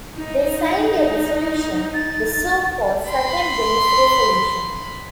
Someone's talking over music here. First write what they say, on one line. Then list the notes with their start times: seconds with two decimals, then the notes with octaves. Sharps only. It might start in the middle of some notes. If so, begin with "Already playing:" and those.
They signed a Resolution, the so-called "Second Venice Resolution".
0.16 D#4
1.94 A6
3.08 B5 C6